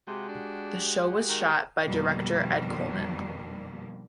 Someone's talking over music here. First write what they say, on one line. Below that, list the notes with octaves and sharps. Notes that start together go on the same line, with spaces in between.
The show was shot by director Ed Coleman.
C3 G#3 F#4 G4
D4
D#3
F2 B2 D3 D#3 G3 A#3